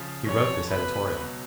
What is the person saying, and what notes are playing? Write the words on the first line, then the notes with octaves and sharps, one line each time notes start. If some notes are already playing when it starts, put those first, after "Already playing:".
"He wrote this editorial."
Already playing: C#3 F3
F1 F2 C#3 F3 C#5
C#2 B2 F#3 B4
C#2 B2 F#3